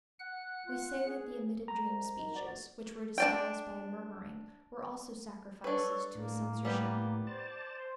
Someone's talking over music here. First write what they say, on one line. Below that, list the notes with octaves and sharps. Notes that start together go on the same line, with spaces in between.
We say that the omitted dream speeches, which were disguised by a murmuring, were also sacrifices to a censorship.
F#5 F#6
F4
G#4
A#5
C2 G#3
D#3 D#4
F#4 C5 D5
D4 D5 G5
D4 A4 B4 C#5
A2 A#3
G3 B3 G4
C5 D5 A5